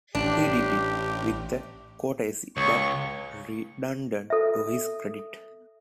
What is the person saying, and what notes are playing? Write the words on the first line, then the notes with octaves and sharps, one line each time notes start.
He did it with a courtesy that redounded to his credit.
A1 D4 G4
C#2 C#6
A4 E5